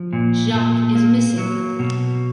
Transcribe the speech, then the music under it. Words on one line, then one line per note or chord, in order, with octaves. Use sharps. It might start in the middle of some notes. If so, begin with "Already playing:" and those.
Jacques is missing!
Already playing: F3
A#2
A#2
A#3
F#3
B2